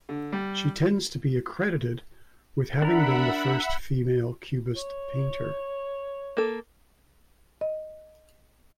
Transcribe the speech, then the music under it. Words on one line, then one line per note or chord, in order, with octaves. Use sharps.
She tends to be accredited with having been the first female cubist painter.
D3
G3
D4 A#4 E5 F#5 B5
C#5
A#3 A4
D#5